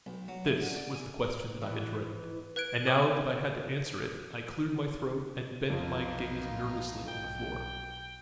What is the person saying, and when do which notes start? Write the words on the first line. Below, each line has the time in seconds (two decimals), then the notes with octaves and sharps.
This was the question that I had dreaded, and now that I had to answer it I cleared my throat and bent my gaze nervously on the floor.
0.06 B1
0.28 F#3
0.45 E4
0.61 D3
0.76 D5
0.94 G#5
1.24 A#4
1.61 E2 G#2 E3
2.56 B4 F#6 G#6 D7
2.87 C#5 G#5 D6 D#6 F6
5.70 B1 F2 A#3 B3 D#4 F4
7.08 B1 B2 G5